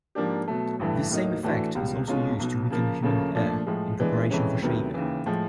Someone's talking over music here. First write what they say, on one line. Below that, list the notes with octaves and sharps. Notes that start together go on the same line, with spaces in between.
This same effect is also used to weaken human hair in preparation for shaving.
G#2 F3 A#3 D4 G4
B2 F#3 A3
A1 G2 E3 A3
A2 F#3 A#3 D#4
A2 E3 A3 D4 F#4
C#2 B2 G3
B1 B2 G#3 C#4 F4
B1 B2 F#3
C#3 F3 A#3
D2 C#3 F3 A#3 C#4
A#2 F3 A3 D4
A2 F3 G#3
A2 E3 G#3 B3 D4
F2 C3 E3 G#3 C#4
D2 C3 D#3 F#3 B3
D#2 C#3 E3
A2 F3 G#3